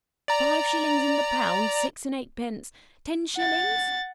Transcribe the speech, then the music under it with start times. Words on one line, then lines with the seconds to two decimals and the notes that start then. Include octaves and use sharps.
Five shillings in the pound, six and-eightpence, ten shillings?
0.28 D5 A#5
3.36 F#5 A6